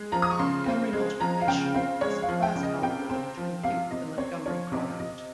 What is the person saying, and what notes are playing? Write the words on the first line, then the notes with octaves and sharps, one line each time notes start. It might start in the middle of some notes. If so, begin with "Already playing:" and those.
Montgomery multiplication is a fast algorithm to compute the Montgomery product.
Already playing: G#3
F3 A#5
D#6
C#6
C#3 C6
C4
G#3
F3 A#5
F5
C#3 G5
C4 F5
G#3 C#5
F5
F3
G5
C#3
D#5
C3 G5
C4
F3
C3 F5
C3 D#5
C4 C#5
F3 C#5
C3 D#5
C3 D#5